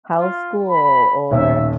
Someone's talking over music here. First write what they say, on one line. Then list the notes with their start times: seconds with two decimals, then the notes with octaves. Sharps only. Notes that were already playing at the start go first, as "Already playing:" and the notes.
"How's school?" or
0.17 F4
0.68 B5
1.31 D#1 B1 C#4 E5